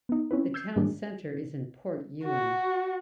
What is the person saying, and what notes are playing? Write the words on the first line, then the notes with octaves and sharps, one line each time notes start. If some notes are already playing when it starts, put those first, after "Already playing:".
The town center is in Port Ewen.
B3 D#4
C4 C#4 E4 B4
E6 G6 G#6 C7
G#2 D#3 G3 G#3 A#3 D4
F#4 F#5